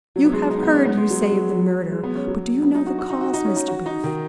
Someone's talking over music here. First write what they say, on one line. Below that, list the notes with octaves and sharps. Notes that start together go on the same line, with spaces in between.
You have heard, you say, of the murder; but do you know the cause, Mr. Booth?
F#3
B3
G#3
D#4
B3
C#4
B3
G#3
F#3
G#3
F#3
G#3
B3
C#4
F#3
B3
D#4
F#4
F#4
D#4
F#4
D#4
C#4
D#4
F#4
D#4
D#3